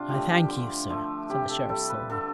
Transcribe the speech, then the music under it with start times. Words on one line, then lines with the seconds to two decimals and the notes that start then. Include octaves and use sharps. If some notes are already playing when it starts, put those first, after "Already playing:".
"I thank you, sir," said the Sheriff slowly.
Already playing: C3 D4 F4
0.09 F3 A3 G4
0.29 G4
0.48 D3
0.90 F3 A3
1.30 C3 G4
1.49 A4
1.69 G3 A4
1.90 B4
2.10 D3 A4